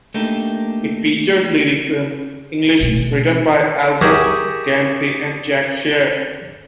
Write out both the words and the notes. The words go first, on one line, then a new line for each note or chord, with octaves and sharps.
It featured lyrics in English written by Albert Gamse and Jack Sherr.
A3 A#3 D4 D#4 G4
B2 A3
G4 G#4 A#4 C#5 E5 F#5